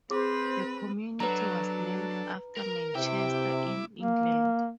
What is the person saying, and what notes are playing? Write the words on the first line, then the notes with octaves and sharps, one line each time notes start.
The community was named after Manchester, in England.
C4 G#4 B4 C5 D6
F#3 D4 A4 B4 A#5
A#4
C3 E4 G5 D6
A#3